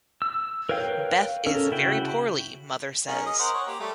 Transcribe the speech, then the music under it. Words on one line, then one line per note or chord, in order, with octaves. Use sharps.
Beth is very poorly, mother says.
E6
A#4 B4 C#5 F5 G5
C#4 A4 A#4
C#3 E4 F#4 G5
C#4 G#4 A#4
D#5 D#6
A#4 C5 F#5
C#5
A#3 G4
G3 A3